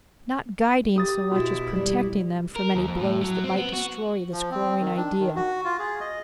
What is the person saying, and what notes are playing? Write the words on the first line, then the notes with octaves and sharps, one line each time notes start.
Not guiding so much as protecting them from any blows that might destroy this growing idea.
G4 D#6 A6
B2 E4 F#4
G3
A#4
D#2
F2
A2
F#3
C4
B3
F#4
F3
C4
D#3
D4
D#3
F#4
F4
G#4
D#5